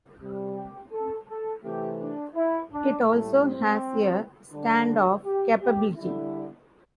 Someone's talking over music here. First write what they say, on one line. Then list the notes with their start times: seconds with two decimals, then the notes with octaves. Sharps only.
It also has a standoff capability.
0.19 C3 G3
0.55 G4
0.92 A4
1.28 A4
1.64 C3 E3 A3 G4
2.00 D4
2.35 E4
2.72 D4
3.08 A2 G3 A3
3.44 C4
4.52 D3 G3 D4
5.24 G4
5.60 G4
5.96 D3 G3 E4